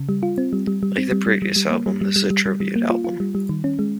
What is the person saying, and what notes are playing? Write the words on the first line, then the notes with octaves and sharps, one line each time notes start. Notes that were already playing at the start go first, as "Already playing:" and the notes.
Like the previous album, this is a tribute album.
Already playing: C#3
G3
F4
C4
G3
G3
G3
C4
G3
G3
G3
G3
A#3
G3
G3
G3
G3
G3
G3
A#3
F4
F4
G3
G3
D#3
C#4
G#3